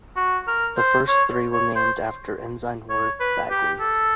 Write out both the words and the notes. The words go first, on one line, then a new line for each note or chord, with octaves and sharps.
The first three were named after Ensign Worth Bagley.
F#4
A#4
C5
C#5
C#5
C5
C#5
B4
G4
A4